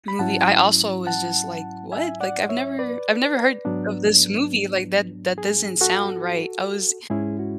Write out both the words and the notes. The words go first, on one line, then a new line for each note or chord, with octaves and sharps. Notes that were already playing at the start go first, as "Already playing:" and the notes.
movie, I also was just like "What?" Like I've never I've never heard of this movie, like, that that doesn't sound right, I was
B5
G#2 F#3 C#4 E4 F#5 A5
F#5 A5
E5 G#5
D5 F#5
C#5 E5
B4 D5
G#2 F#3 B3 D4
G#4
F#4 A4
G#2 G#3 C#4 E4 G#4
F#4